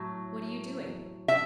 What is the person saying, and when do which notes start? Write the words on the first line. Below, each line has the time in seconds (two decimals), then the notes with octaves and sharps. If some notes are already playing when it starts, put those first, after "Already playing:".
'What are you doing?'
Already playing: A2 F#3
1.28 E5